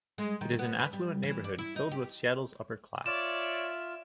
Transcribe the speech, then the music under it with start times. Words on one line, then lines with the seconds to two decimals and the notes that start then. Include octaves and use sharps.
It is an affluent neighborhood, filled with Seattle's upper class.
0.18 G#3
0.41 D#3
0.59 B3
0.79 B4
0.93 G3
1.23 E3
1.44 D5
1.59 E4
1.76 D#4
1.91 G4
3.06 F4 C#5 D5 E5 E7